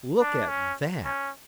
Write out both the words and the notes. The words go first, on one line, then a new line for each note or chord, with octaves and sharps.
"Look at that!"
D4
C#4
C#4